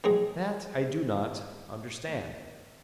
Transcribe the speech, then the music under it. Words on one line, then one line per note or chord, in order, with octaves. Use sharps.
That I do not... understand.
D#3 F#3 G#3 G#4